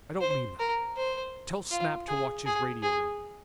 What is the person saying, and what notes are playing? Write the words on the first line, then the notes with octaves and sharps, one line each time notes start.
I don't mean that! Tell Snap to watch his radio room.
C5
A#4
C5
F4
G#4
G#4
G#4